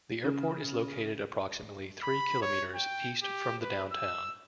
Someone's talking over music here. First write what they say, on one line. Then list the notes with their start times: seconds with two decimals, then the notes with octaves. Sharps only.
The airport is located approximately three kilometers east from the downtown.
0.24 C#3
2.03 B5
2.42 C#5
2.75 G5
3.23 G4
3.63 B4
3.92 E6